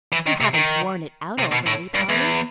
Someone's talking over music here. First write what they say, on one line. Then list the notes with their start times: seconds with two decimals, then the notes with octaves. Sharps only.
"You haven't worn it out already, Polly?"
0.12 E3
0.27 D#3
0.41 C3
0.54 D#3
1.39 C3
1.52 B2
1.67 A2
1.95 G2
2.09 E2